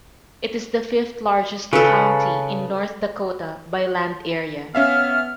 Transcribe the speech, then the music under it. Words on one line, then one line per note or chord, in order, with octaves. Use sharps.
It is the fifth-largest county in North Dakota by land area.
C#3 A4 B4
B3 C#4 E5 F5 F6